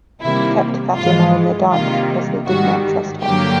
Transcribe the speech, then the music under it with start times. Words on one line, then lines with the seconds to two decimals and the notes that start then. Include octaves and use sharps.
They kept Fatima in the dark because they did not trust her.
0.22 C3 D#3 G3 A#3 E4
0.98 G#2 E3 G#3 F4
1.72 C3 D#3 G3 A#3 F4
2.47 G#2 D#3 G3 F#4
3.22 G2 D3 F#3 A#3 G4